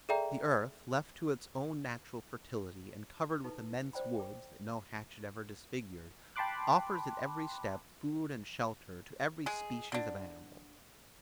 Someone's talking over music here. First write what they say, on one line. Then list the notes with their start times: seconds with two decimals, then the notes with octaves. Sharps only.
The earth left to its own natural fertility and covered with immense woods, that no hatchet ever disfigured, offers at every step food and shelter to every species of animals.
0.09 G#4 A4 D5 E5 G5 A#5
3.44 D#4 E4 A4 B4
3.93 C5 D5 G5 A#5 B5
4.17 G5 D6
6.36 G5 A5 B5 C6 D6 F#6
9.46 G#3 G#4
9.92 D3 D4